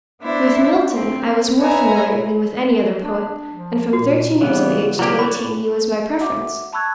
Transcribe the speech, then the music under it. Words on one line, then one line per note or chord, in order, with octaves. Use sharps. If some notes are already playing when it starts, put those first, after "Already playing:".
With Milton I was more familiar than with any other poet, and from thirteen years of age to eighteen he was my preference.
B3 D4 E4 C5
C4
B4 C#5 D#5 E5 G#5 A#5
D4
F3
A#2 F#4
C#3 E3 G3 B3
F#3 A#3 E4 G4 D5
F#4 D5 B5
F#4 E5 F#5 D6
A5 B5 C#6 E6 F#6 G#6